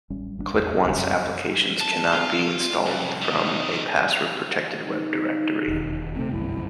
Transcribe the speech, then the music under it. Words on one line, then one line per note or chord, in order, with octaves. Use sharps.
ClickOnce applications cannot be installed from a password-protected Web directory.
A1 G3 C#4
G#1 G3 C4 D4
A1 E2
E1 D#2 C#3
F#2
A5
F4
C2
G3 D#4
D#4
E1 D#2
C3 A3 C4
G1 C2 F#2 E4